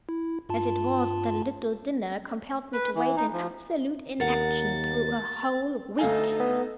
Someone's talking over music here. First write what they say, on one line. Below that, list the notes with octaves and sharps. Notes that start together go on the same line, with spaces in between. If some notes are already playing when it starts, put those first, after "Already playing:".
As it was, the "little dinner" compelled me to wait in absolute inaction through a whole week.
E4
G2 F4 A5
B4
E3
D#4
F3
D#2 A#4 F#5 A6
D2 D#4 A4 F5 G#5
B3